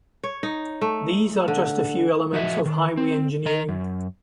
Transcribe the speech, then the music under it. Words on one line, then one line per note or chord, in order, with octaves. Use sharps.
These are just a few elements of highway engineering.
C#5
D#4
A3
D3
F3 F#4 D#5 E5
D#3
C4
D#3 D#5 A#5
F#2